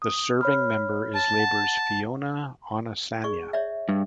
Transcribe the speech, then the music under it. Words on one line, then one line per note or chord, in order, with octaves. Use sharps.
The serving Member is Labour's Fiona Onasanya.
D#6
C#5 B5 F6
A5
F#5
G#4 D5 C#6
C#5 D5 E5
G2